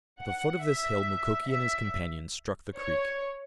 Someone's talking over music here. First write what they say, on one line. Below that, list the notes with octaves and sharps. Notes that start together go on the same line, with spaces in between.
At the foot of this hill Mukoki and his companion struck the creek.
F#5
E5
E5
C#5